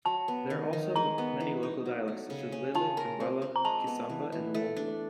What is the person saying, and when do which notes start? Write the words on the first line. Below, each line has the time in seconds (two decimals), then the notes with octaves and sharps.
There are also many local dialects such as Lele, Kimbala, Kisamba, and Wongo.
0.06 F#3 A5
0.28 B3
0.50 D#3
0.73 D#3
0.96 G#3 A#5
1.18 B3
1.40 E3
1.63 D#4
1.85 F#3
2.08 A3
2.30 C#3
2.52 C#4
2.75 F4 A5
2.97 A#4
3.20 C4
3.42 C4
3.56 A#5
3.65 G#3 A5
3.87 B3
4.10 E3
4.32 E3
4.54 A3
4.77 D4